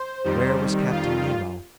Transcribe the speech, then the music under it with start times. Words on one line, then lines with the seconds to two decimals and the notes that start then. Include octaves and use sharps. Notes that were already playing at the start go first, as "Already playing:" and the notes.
Where was Captain Nemo?
Already playing: C5
0.24 F2 D#3 G3
0.91 F4